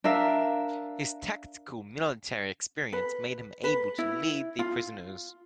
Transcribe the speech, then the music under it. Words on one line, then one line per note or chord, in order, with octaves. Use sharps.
His tactical military experience made him able to lead the prisoners.
D4 A#4 E5 F5
B4
B4
E4
F4